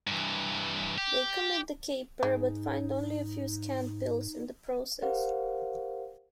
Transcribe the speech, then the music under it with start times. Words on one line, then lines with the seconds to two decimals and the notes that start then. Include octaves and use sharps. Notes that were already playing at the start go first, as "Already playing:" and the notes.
They commit the caper but find only a few scant bills in the process.
0.07 G2 E3
0.98 G4
2.23 G#2 G#3 D#4
5.02 G4 A#4 C5 F5 F#5